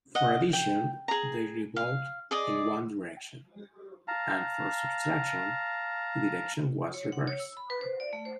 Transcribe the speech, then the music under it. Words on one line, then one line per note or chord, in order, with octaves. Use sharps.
For addition they revolved in one direction, and for subtraction the direction was reversed.
D#5 F#5
G5
G#4 A#5
F5
G#4 D5 D#5
F5 A5 A#5
C#5
F#5
C#5
E6
B5
B4
C5
D5
A3
C5